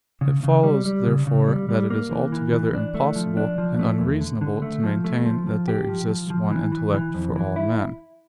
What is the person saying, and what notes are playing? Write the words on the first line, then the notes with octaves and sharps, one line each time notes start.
It follows, therefore, that it is altogether impossible and unreasonable to maintain that there exists one intellect for all men.
C#3
C#3
G3
G3
C#3
C#3
G3
G3
A#3
E3
E3
E3
D4
A3
F3
D4
F3
A3
E2
D3
D3
A3
F3
A3
F3
F3
G4
F3
F3
F3
E3
E3
E3
F2
E3
E4